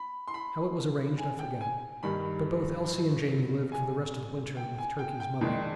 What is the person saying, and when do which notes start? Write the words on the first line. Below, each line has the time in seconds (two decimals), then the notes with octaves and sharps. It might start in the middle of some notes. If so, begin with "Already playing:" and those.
How it was arranged, I forget, but both Elsie and Jamie lived for the rest of the winter with Turkey's mother.
Already playing: B5
0.28 C6
0.34 B5
1.18 G#5
1.39 G5
1.61 G#5
2.03 G2 D#3 G3 B5
3.72 G#5
4.57 G5
4.78 G#5
4.99 G5
5.20 G5
5.41 F2 D#3 G#3 D4 G5